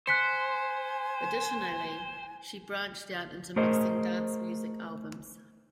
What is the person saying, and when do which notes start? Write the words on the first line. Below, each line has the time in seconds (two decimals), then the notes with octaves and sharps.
Additionally, she branched out into mixing dance music albums.
0.07 C5 G#5 F#6 B6 C#7
3.56 A3 G#4 A#4 C5 D#5